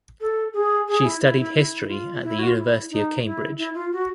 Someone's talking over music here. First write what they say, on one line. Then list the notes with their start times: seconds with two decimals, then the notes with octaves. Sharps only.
She studied history at the University of Cambridge.
0.21 A4
0.53 G#4
0.88 G#4
1.04 E4
1.22 E4
1.38 E4
1.56 E4
1.83 E4
1.89 F4
2.23 E4
2.39 F#4
2.48 F4
2.56 E4
2.91 D#4
3.24 E4
3.58 E4
3.74 F4
3.92 F#4